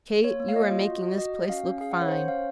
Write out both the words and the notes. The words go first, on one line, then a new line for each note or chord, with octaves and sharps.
Kate, you are making this place look fine.
A#3 C#5
A#3 C#5
F5
F4 D#5
F4
F#4
F#4
F#4 D#5
F#4
C#4 F5
C#4
G#4 F5
F#5
C#4 C#5
C5
C#4 C#5
C#4 F5